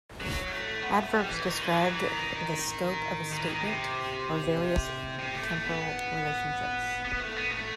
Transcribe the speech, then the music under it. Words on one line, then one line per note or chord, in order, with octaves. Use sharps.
Adverbs described the scope of a statement or various temporal relationships.
F#3
A3
B3
A3
G3
E3
D#3
E3
F#3
E3
D#3
D#3
E3
D#3
C3
C3
A3
A3
B3
B3
A3
B3
A3